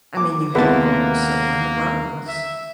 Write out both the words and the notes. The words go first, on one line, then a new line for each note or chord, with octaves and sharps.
I mean, you have a gold, a silver, and a bronze.
D6
D#2 C3 G#3 A#3 B3 E4 A5
E5